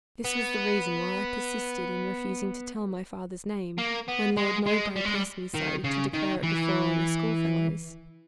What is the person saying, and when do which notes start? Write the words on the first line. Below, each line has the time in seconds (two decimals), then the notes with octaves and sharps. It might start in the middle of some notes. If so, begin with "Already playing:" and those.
This was the reason why I persisted in refusing to tell my father's name, when Lord Mowbray pressed me so to declare it before all your school-fellows.
0.25 B3
3.78 A#3
4.08 B3
4.37 G#3
4.66 G#3
4.96 G3
5.05 G#3
5.15 G3
5.55 D#3
5.84 C#3
6.13 D#3
6.43 E3